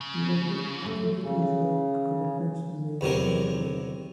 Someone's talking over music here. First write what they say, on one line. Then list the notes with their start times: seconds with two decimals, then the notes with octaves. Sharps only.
He was able to continue his work commitments and made a full recovery.
0.01 C#3
0.82 F#2 A3
1.22 C#3
3.01 E2 C3 F#3 A#4